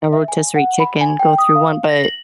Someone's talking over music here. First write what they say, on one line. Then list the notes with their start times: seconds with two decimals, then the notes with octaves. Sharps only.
A rotisserie chicken go through one, but
0.12 E5
0.28 G#5
0.56 F#5
0.80 B5
1.01 G#5
1.19 G5
1.38 D#6
1.55 F5
1.89 A#6
2.04 F#7